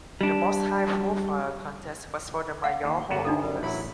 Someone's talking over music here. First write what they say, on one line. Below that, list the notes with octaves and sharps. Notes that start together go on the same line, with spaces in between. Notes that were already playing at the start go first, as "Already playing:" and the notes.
The most high-profile contest was for the mayoral office.
G3 D4
F5 F#5
D#2
G1 C#3 A#3 B3 F#4
D4 D#4 A4
F#2 G3
A1 F#3 E4 B5